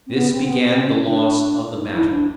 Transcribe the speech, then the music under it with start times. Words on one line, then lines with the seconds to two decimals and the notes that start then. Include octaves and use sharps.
This began the loss of the battle.
0.07 C4
0.14 B3
0.32 C4
0.43 C4
0.50 B3
0.67 C4
0.86 C#4
1.03 D4
1.76 D#4
1.86 D#4
1.93 E4
2.11 D4